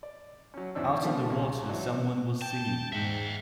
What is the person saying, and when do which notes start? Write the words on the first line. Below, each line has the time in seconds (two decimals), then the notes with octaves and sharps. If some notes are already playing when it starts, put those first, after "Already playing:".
Out on the water someone was singing.
0.03 D5
0.54 F#3 C#4
0.75 E2 E3 C#4 D4 C5 E6
1.02 B2 D3 D#3 F3 G3 C4
1.30 C2
1.69 E3 F#3 D4
2.42 G5 A5
2.93 G#2 E5 F#5